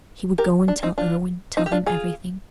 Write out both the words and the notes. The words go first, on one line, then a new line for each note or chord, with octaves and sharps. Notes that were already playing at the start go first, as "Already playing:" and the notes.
He would go and tell Irwine--tell him everything.
G4 A#4
D4
C4 D#4
D4 F4
C4 D#4
G4
D4 F4
F4 G#4